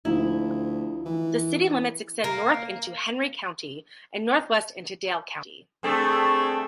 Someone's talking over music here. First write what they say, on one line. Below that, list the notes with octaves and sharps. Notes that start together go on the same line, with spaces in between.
The city limits extend north into Henry County and northwest into Dale County.
D2 F3 D#4 E4
E3
A#3
G2 A3 C4 G#4 A4